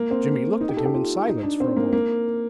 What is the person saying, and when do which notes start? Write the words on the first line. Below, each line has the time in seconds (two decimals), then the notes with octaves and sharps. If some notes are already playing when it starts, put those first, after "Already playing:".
Jimmy looked at him in silence for a moment.
Already playing: A#3
0.11 C4
0.61 D#4
0.69 G4
0.77 A4
0.86 G4
0.93 F4
1.27 D#4
1.43 D4
1.60 C4
1.77 A#3
1.93 A#3